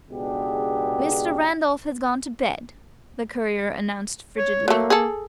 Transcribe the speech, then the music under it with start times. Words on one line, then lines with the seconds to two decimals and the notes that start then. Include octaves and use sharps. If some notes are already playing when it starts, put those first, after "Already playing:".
"Mr. Randolph has gone to bed!" the courier announced frigidly.
0.11 C#2 B2 B3 D4 G4 G#4
4.38 C#5
4.68 F#3 A3 A#3
4.90 G#4 A4